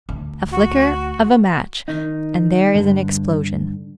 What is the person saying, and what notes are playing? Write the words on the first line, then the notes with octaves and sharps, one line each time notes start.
A flicker of a match, and there is an explosion.
D2
F#4
D#3 D#4
G2 D3